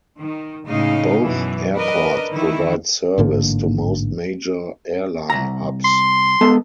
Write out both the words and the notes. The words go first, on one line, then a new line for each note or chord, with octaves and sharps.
Both airports provide service to most major airline hubs.
D#3
A2 C#3 G#3 D#4 F5
F#2 B2 E3
D4 A#4 B4 D#5
D#3 E3 E4
A1 G#2 D3 A#3
C2 A#5
C6
G#3 B3 A4